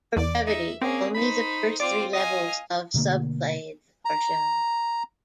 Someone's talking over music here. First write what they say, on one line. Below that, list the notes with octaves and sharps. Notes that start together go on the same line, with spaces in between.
For brevity, only the first three levels of subclades are shown.
E2 D5 D6
D#4 E5
A#3 C4 C#4 G#4
D#4 C5 B5
C4 F4 D5 D6
D#5 F5 G#5
B2 D3 A3 A#3
A#5